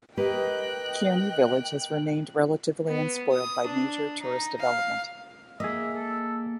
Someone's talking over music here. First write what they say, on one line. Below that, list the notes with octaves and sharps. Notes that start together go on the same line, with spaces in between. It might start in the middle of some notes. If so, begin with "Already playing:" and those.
Kioni village has remained relatively unspoiled by major tourist development.
A#3 G4 B4 D#5 G5 F#6
B3
D#6
D4
D#4
F5
A#3 G#4 D#5 E5
A4